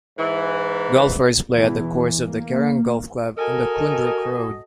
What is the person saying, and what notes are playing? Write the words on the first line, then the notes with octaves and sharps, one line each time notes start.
Golfers play at the course of the Kerang Golf Club on Koondrook Road.
G#2 E3
E2 B2 E3
A#3
F#4 A4 A#4 D#5 G#5